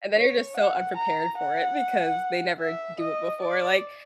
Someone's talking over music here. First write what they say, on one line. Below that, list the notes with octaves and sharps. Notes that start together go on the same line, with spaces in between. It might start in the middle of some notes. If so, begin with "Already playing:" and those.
And then you're just so unprepared for it because they never do it before, like,
C#5
F#5
A#5
F#5
E5
D#5
D5